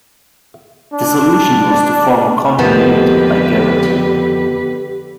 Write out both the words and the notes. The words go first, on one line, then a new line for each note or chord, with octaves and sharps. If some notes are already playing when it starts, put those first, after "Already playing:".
The solution was to form a company limited by guarantee.
D4
F2 D3 D#3 F3 B3 G4 B4